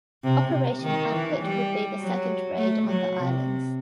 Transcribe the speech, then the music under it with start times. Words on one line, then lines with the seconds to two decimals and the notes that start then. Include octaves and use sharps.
Operation Anklet would be the second raid on the islands.
0.24 C3
0.52 C3
0.82 D#3
1.12 E3
1.41 G3
1.99 F#3
2.57 A3
2.87 F#3
3.17 C3